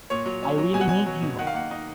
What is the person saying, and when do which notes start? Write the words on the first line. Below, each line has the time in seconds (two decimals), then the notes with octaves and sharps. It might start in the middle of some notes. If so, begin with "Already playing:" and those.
I really need you.
0.10 A#2 C#5
0.26 F#3
0.43 C#4
0.58 F#3
0.74 B2 G#5
0.81 F#5
0.89 C#4 G#5
1.06 F#3
1.22 B2
1.39 D#3 F#5
1.47 F5
1.54 A#3 F#5
1.71 D#4